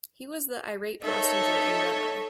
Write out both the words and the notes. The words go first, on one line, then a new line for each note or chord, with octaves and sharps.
He was the Irate passenger in "Red Eye".
D#4 A4 C#5 E5